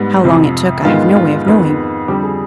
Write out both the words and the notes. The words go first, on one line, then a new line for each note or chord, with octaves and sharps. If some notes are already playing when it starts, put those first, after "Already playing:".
How long it took I have no way of knowing.
Already playing: G#2 G3 B3
F2 C3 F3
G#2 D#3 G#3 B3 F4
F4
F2 D#3 G#3 B3
F2 D3 G3 G4
G#4